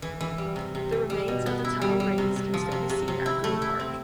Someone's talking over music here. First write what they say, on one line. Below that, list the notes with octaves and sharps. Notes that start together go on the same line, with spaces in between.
The remains of the tile rings can still be seen at Green Park.
E3
E3
G3
C3
C3
E3
G3
B2
B3
E4
G3
G3
C3
C3
F3
C3
C3
C3
E4
A3
E4
C4